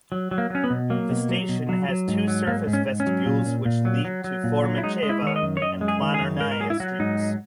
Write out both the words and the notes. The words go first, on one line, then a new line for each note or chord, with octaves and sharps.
The station has two surface vestibules which lead to Fomicheva and Planernaya streets.
F#3
F#3
A#3
F#3 C#4
B3
B2
F#3 A#3
B2
F#3
B2
F#3
F#3
G#2
F#3
G#2 A#3
G#2
C#4
G#2
C#4
F#3
A#2
A#2
A#2
F#3
F#3
F#3
A#2
F#3
E4
G#3 D#4
G#3
E4
D#3 C#5
D#5
F#2
C#5
F#2 D#5
G#3
G#4
D#3
G#4
F#2
G#2 A#4
A#4
F#3 G#4
E4
F#3 F#4
G#2 D#4
F#3